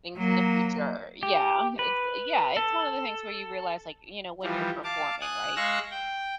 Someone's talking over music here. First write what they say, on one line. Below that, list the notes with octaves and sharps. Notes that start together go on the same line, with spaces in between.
things in the future. Yeah. It's yeah, it's one of the things where you realize, like, you know, when you're performing, right,
F#3 A#3
G4
B4
A4
E3 F3 G3
F5 A5 D6
G#5 D#6 F#6
G#3 F5 C#6 E6 F#6 A#6
G5